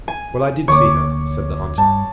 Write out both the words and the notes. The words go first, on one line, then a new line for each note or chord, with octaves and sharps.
"Well, I did see her," said the hunter.
G#5
D2 D3 A#3 C#5 C#6 D6
G2 A5